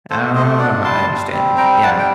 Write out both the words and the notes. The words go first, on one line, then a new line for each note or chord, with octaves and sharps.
Oh, I understand. Yeah.
A3 A4 C5
A3 C5 D#5
D4 D5 F#5
G3 A5 C6
G3
C4
G3 G5 A#5
G3 F#5 A5
G5